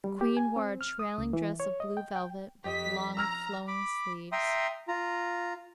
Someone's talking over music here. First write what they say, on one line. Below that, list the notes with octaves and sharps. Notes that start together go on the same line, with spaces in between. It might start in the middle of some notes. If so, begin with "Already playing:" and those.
The queen wore a trailing dress of blue velvet with long flowing sleeves.
G3
G4
G#5
C4
F6
D#6
C#2
E3
C#5
D#5
G5
G5
F2 G4 D#5 B6
A#5 E6 F6 A#6
B5 D6
E5 G5 A#5 C6 D#6
F4 A#5